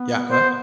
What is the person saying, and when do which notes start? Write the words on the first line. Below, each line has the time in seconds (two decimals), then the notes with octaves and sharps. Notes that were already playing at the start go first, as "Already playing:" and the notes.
Yeah, go ahead.
Already playing: B3
0.31 C5